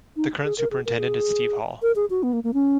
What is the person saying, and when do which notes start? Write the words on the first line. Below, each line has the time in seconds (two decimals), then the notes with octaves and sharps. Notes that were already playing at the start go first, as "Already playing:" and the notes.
The current superintendent is Steve Hall.
0.17 D#4
0.44 G#4
0.58 A#4
0.71 G#4
0.86 A#4
0.99 G#4
1.82 A#4
1.96 G#4
2.10 F#4
2.23 B3
2.33 A#3
2.44 A#3
2.54 C#4